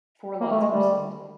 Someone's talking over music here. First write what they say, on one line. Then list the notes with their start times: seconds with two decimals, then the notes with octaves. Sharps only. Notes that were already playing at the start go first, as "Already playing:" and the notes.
Four lots were sold.
0.41 A#3
0.51 A3
0.61 G#3
0.71 G3